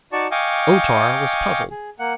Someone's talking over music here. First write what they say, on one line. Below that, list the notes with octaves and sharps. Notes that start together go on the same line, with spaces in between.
O-Tar was puzzled.
D#4 F#4 D5 A5 C#6
D#5 F5 G5 G#5 C#6 D6
G#4
A#3 F#5